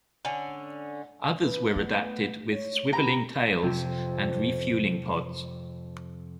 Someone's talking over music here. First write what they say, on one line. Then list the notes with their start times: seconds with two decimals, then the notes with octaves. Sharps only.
Others were adapted with swiveling tails and refueling pods.
0.25 D3 C#4
1.44 B4
1.76 A3 B3
2.53 C#5
2.93 B3 G4 A#5
3.62 F2 C3